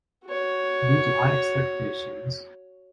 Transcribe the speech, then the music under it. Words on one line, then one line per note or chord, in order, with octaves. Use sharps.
Due to High Expectations...
F#4 C#5